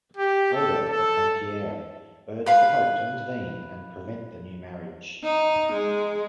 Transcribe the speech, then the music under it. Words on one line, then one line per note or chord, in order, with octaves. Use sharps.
Odo of Dampierre urged the pope to intervene and prevent the new marriage.
G4
A4
A4
B4 F5 B5
D#4
G#3